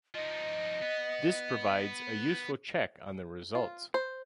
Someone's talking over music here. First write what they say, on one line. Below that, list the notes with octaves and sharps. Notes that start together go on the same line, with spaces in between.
This provides a useful check on the results.
F3 D#4 D#5
B3
F4
C5